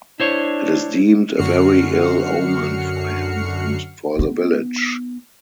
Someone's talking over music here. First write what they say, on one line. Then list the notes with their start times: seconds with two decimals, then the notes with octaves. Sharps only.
It is deemed a very ill omen for him and for the village.
0.20 D4 E4 C5 C#5
1.36 F#2 D3 F#4 F6 C7 C#7
4.19 B3 D#4